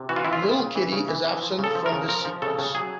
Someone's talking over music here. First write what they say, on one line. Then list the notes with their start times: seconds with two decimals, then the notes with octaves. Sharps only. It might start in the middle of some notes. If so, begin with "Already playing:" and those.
Little Kitty is absent from this sequence.
Already playing: C3
0.09 E3 F#4
0.16 F4
0.25 E3 E4
0.33 F4
0.42 C#3
0.59 C#3
0.75 E3
0.92 C#3
1.08 E3
1.25 E3
1.42 F3
1.59 C#3
1.64 A4
1.75 F3
1.86 A#4
1.92 C#3
2.09 F3 A#4
2.25 F3
2.42 C#3 A4
2.59 C#3
2.75 F#3 G#4